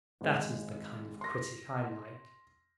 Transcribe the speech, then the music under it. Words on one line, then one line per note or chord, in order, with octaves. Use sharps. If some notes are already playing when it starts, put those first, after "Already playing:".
That is the kind of critic I like.
G#1 G#3
C6 A#6